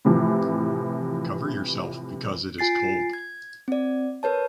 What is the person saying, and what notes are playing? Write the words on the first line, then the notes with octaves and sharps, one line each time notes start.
Cover yourself because it is cold.
A2 C3 E3 F3
F4 G#5 A6 C7
G#6
C4 D5
A#4 B4 C#5 A5